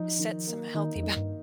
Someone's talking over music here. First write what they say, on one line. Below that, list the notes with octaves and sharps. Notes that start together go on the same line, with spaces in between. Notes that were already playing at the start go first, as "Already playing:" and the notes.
set some healthy boun
Already playing: F3 D#4
D#3
A#3
D#3 D#4
F2
D#4
G2